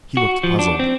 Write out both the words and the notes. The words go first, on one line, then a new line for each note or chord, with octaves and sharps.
He looked puzzled.
F#4
F3
D4
C4